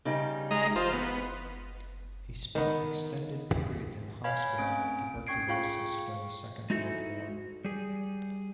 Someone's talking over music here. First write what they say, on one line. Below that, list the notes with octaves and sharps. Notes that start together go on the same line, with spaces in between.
He spent extended periods in hospital with tuberculosis during the Second World War.
C#3 G3 D#4
G#3 D#5 A#5
E3 F4 C5
B3
D#3 B3
B4 C#5 F5 G#5 B5 G#6
A3 C4 C#4 G#5 D7
C#4 G5 C#6 G#6 C7 D7
F4 G#4 F5 G5 C#6
G#3 D#4 E4 F#4 A4
G3 G#4